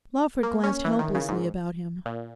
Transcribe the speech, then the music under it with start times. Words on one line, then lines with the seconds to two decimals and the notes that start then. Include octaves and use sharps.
Lawford glanced helplessly about him.
0.43 A#3
0.63 C#4
0.84 E3
0.99 D#3
1.15 C#3
1.29 G#2
2.06 A#2